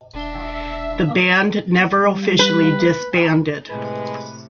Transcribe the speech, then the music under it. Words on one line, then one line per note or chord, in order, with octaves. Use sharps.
The band never officially disbanded.
E1 D4 E5
G3
B4
A2 C3 G#3 B4